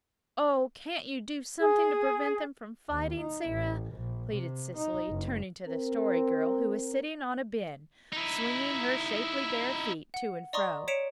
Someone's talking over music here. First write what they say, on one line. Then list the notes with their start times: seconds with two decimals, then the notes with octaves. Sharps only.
"Oh, can't you do something to prevent them from fighting, Sara?" pleaded Cecily, turning to the Story Girl, who was sitting on a bin, swinging her shapely bare feet to and fro.
1.59 G#4
2.90 D#2
3.20 D#4
3.49 A1
3.93 A#1
4.34 C3
4.77 D#4
5.10 F#1
5.67 C4 A#4
8.13 D#4 E4
10.14 F#5
10.53 D5 D#5 A#5 C6 C#6 D#6
10.88 C#5 B6 C#7 D7 E7 F7